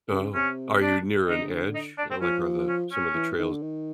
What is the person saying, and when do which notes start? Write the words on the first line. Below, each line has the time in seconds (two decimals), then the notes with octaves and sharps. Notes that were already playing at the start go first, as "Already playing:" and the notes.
Oh, are you near an edge, you know, like, are the some of the trails
0.12 C#3
0.35 C3 C#4
0.82 D4
1.28 D3 D#4
1.75 D#4
1.98 D4
2.11 C4
2.22 F3 C#4
2.69 C#4
2.92 C#4
3.15 E3
3.38 D#3
3.51 D3
3.62 D#3